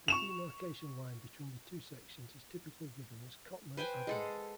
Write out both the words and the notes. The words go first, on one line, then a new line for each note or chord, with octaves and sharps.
The demarcation line between the two sections is typically given as Cottman Avenue.
C#6 E7 F7
B4 C5 G5 G#5
G#3 A4 F#5